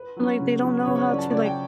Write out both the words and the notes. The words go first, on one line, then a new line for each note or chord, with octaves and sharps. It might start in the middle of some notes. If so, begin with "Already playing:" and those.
Like, they don't know how to, like
Already playing: B4
F#3 C#4
C#3
F#3 C#4
B4
C#3 C#5
C#5
F#3 C#4 D5
A5
C#3 D5
G5